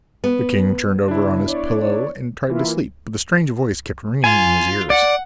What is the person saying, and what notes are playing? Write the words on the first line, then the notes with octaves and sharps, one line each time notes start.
The king turned over on his pillow and tried to sleep, but the strange voice kept ringing in his ears.
B3
C#3 D4 E4
C#5 D5
E3 A#3 E4 F4
F4 G#5
D5 F#5